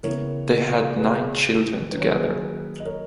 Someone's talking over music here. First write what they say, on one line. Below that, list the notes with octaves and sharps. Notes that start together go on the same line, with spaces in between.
They had nine children together.
C#3 E3 B3 A#4 C#5
G#4 B4
D#3 F#3 A#3 C#4 B4
C#5
G#4 B4
D#5
A#4 C#5